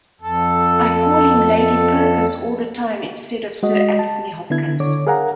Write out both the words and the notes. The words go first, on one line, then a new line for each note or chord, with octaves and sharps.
I'd call him Lady Perkins all the time instead of Sir Anthony Hopkins.
F2 A4
G#3 F#4 D#5
A5
D3 B3 E4 G#6
D3 C#5 D6
G#4 A#4 F5 F#5 G#5 A#5